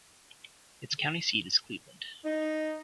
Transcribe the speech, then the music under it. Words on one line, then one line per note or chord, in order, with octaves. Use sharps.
Its county seat is Cleveland.
D#4